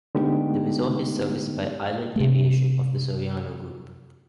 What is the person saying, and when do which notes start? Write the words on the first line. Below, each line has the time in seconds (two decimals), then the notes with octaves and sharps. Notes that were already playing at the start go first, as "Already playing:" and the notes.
The resort is serviced by Island Aviation of the Soriano group.
0.15 D3 G#3 A3 B3 D#4 G4
2.16 C3 A3